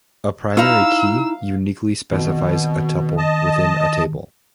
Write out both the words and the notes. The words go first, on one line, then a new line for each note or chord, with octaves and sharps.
A primary key uniquely specifies a tuple within a table.
D#4 E4 F5 A#5 E6
B2 D#3 B3 C4
D#5 A5